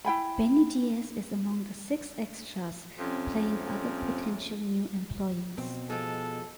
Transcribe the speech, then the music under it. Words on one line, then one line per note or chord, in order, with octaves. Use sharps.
Benni Diez is among the six extras playing other potential new employees.
E4 G5 G#5 B5
F2 C3 C#4
B2 C4
F3 G#3 A4